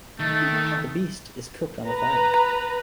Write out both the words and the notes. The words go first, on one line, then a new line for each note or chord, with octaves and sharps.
The beast is cooked on a fire.
D#3 A3
B4 A#5